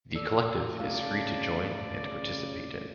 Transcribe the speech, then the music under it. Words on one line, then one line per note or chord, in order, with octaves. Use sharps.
The Collective is free to join and participate in.
A4 D5 E6
A2 C#3 A3 A#4 D5 F5
C#3